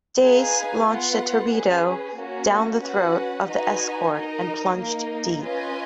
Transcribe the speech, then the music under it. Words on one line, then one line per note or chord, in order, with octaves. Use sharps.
"Dace" launched a torpedo "down the throat" of the escort, and plunged deep.
D#4 G#4 B4 F5 G#5
B3 F4 B4 F#5
C#4 G#4 B4
A#3 C#4 F#4
C#4 F#4 B4 F#5
D#4 F#4 B4 D#5 G#5
D#4 A#4 D#5
A#3 D#4 A#4
C#4 F4 B4 D#5 G#5